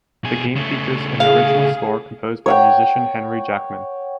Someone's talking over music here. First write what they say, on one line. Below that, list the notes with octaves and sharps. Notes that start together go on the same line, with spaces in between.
The game features an original score composed by musician Henry Jackman.
B2 G#4
C#3 A3
G#4 F5
C#5 F#5 G5